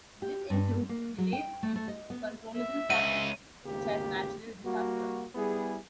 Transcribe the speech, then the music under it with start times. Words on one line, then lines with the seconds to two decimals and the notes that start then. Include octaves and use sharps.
This includes delays due to uncontrollable causes, such as natural disasters.
0.22 G4
0.50 G2
0.89 A#3
1.18 F#3
1.33 G5
1.63 A3
1.76 A3
1.88 D#5
2.10 B3
2.56 E5
2.90 C#2 D#7
3.65 G#1 D2 C#3 A#3 G4
4.64 G3 A#3 F#4
5.35 G3 B3 E4 G#4